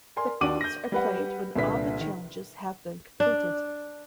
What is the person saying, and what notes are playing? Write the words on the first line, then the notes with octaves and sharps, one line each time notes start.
The credits are played when all the challenges have been completed.
A#4 D5 G#5 C6
D#2 D4 F#4 D6 D#7 F#7
G6 A#6
G3 B4 F#5
C2 A#2 D3 B4 E5 B6
D#3
D4